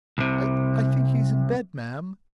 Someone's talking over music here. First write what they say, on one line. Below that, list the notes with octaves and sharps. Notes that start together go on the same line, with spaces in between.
"I--I think he's in bed, ma'm."
C2 C3